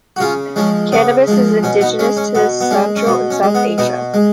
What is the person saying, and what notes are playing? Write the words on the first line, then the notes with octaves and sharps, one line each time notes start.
Cannabis is indigenous to Central and South Asia.
F#4
C#3 C#4 F4
F3 G#3 C#4
C#3 B3
F3 G#3
B2 C#4
B3 D#4
G#3 C#4
C#4
B2 B3
B3
G#3 C#4
C#4
B2 B3
C#4
G#3
B3
B2 B3 D#4
G#3